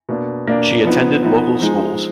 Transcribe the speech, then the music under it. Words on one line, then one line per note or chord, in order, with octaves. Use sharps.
She attended local schools.
B2 A#3 D4
B2 A#3 D4
F3 B3 D#4
F3 B3 D#4
F3 G#3 D#4